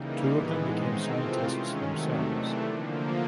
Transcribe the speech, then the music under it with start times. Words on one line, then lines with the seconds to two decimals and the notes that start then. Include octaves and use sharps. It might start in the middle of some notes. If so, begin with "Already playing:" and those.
Two of them became scientists themselves.
Already playing: C#3 E3 G3 A#3 D#4
0.26 A2 E3 G#3 B3
0.65 D#3 G#3 C4 D#4
1.05 C3 E3 A3 C4 F4
1.44 D#3 G#3 C#4
1.83 C3 D#3 F#3 A3
2.23 C3 E3 A3 D4
2.62 D3 F3 A#3